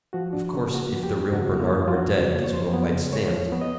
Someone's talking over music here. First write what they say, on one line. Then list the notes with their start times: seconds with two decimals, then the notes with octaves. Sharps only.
Of course, if the real Bernard were dead this will might stand.
0.13 F3 F#4
0.33 D4
0.54 C#3
0.74 A#3 F#4
0.93 F3
1.03 G4
1.13 D4
1.33 C#3 F#4
1.53 A#3 E4
1.73 F3 F4
1.88 F4
1.93 D4 F#4
2.13 C#3
2.33 A#3
2.44 C#5
2.53 F3 C5
2.73 B3
2.93 C#3
3.12 G#3 C#5
3.32 F3
3.52 B3
3.62 D#5